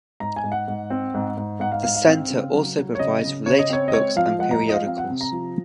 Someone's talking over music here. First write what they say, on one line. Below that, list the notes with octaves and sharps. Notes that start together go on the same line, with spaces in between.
The center also provides related books and periodicals.
G#2 A#5
G#5
G#2
F#5
G#2
C4
G#2
G#2
G#2 F#5
F5
G#2 F5
F5
C4
C#3
F#3
F#3
C#5
C#3 D#5
C#3
C#3 C#5
D#5
C4 C#5
D#5
G#3 C#5
F3 F5
G#3 F#5
A#5
F3
D#5
F5
C4 F5
F#5
C3
A#5
F3